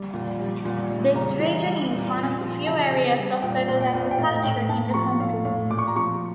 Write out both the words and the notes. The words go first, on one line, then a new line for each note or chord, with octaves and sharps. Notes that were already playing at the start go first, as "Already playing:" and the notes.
This region is one of the few areas of settled agriculture in the country.
Already playing: G3
A#2
G3
A#2
G3
C#3 A#5
E3
G3
A#2
A#2
F3
C#3 A5
C#3
G3
A#2 G5
A#2
G5
A#2
G5
A2 F5
A2 G5
A2 A5
A#5
F3 C#6
A2 F5
A2 F5
A#2 D6
C#6
A#5
F3 C#6